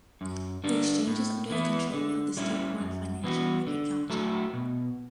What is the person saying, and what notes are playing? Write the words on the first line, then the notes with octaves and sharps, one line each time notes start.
The exchange is under the control of the state-run Financial Market Council.
F#2
D3 G3 D4
A2
E3 B3 E4
D3
G3 C#4 E4
F#2
E3 B3 F#4
D3
F#3 A3 E4 A4
B2